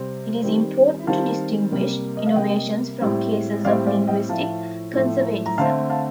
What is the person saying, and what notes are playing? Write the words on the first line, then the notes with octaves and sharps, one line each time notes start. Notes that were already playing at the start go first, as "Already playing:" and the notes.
It is important to distinguish innovations from cases of linguistic conservatism.
Already playing: C3 G3 C4
D#3 G3 C4
D#3 G3 C4 F5 A5
C3 G3 A#3
D#5
F5
C3 G3 A#3 D#5 G5
A2 G3 C4
A2 G3 C4 D5 F5
D5 F5
D#5 G5
A2 F3 A3 F5 A5
A2 F3 A3
A#5
D3 A3 C4 F5 A5
F5 A5